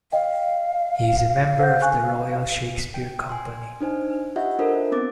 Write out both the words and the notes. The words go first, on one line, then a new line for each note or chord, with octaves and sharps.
He is a member of the Royal Shakespeare Company.
D#5 F5 G5
C5 F#5 G6
G#5 C#6 F#6
G5
G#5 C6
D4 D#4 C5 G#5
F4 G4 D#5 E5 F#5
D4 F4 A4 A#4 C5
B3 C4 D6 A6